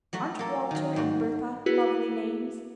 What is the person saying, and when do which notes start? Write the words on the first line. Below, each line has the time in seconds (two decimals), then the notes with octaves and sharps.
Aren't Walter and Bertha lovely names?
0.13 F#3 A3 F#4
0.39 A#3 A4
0.71 D#3 F#3
0.96 G#2 F#4
1.66 E4 F#4 G#4 B4